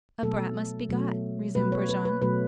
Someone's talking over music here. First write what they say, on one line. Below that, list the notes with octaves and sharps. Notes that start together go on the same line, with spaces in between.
"A brat must be got," resumed Brujon.
B2 F#3 A3 A4
B2 F#3 A3
B2 F#3 A3 B4
C#5
B4
B4
B2 F#3 A3 B4